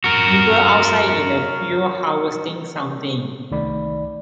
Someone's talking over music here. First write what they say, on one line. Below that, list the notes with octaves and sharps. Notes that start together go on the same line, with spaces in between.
People outside in a field harvesting something.
F#4 A#4
C2 D#3 A3 D5 B5